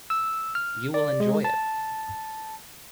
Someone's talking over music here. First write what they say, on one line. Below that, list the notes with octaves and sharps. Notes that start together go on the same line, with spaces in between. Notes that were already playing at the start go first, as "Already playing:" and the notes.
You will enjoy it.
E6
F6
D5
G#3
A5